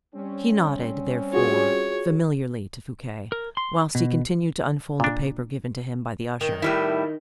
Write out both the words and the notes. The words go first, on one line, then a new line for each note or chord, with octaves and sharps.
He nodded, therefore, familiarly to Fouquet, whilst he continued to unfold the paper given to him by the usher.
G3 C4 C#4
F4 F#4 G#4 C#5
A#4
C6
B2
A#2 D4
D#3
A2 G3 E4